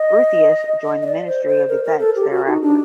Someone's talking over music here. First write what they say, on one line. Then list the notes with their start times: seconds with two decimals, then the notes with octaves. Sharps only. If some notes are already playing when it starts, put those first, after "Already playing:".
Groothuis joined the Ministry of Defence thereafter.
Already playing: D#5
1.02 D#5
1.06 D5
1.27 C5
1.48 C5
1.69 A#4
1.84 A#4
2.00 A4
2.16 G4
2.31 F#4
2.47 D#4
2.62 D4